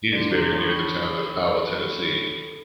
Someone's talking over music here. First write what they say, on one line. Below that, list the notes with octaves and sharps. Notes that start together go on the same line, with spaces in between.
He is buried near the town of Powell, Tennessee.
D3
C3
A2